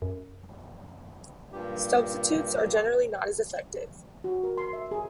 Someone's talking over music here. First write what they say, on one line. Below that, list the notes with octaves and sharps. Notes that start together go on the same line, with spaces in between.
Substitutes are generally not as effective.
F#2
G2 A#2 G4
F#4
A#4
C6
E5
G#4